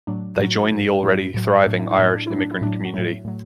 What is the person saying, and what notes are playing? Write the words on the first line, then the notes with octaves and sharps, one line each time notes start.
They joined the already thriving Irish immigrant community.
A2 F#3 D4
A2 F#3 F#4
A2 F#3
A2 F#3 E4
A2 F#3
A2 F#3 D4
E4
D4
A2 F#3 E4
D4
A2 F#3 E4
D4
E4
A2 F#3 D4
F#4
A2 F#3 E4
A2 F#3